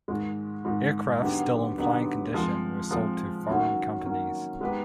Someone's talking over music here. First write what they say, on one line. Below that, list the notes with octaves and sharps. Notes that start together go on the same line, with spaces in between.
Aircraft still in flying condition were sold to foreign companies.
G#2 D#3 G#3
G#2 D#3 G#3
D3 F#3 B3 D#4 G4
D3 F#3 B3 D#4 G4
F3 G#3 C4
F3 G#3 C4
D#3 F#3 A#3 C#4 F#4
D#3 F#3 A#3 C#4 F#4
G#3 B3 D#4 G4 B4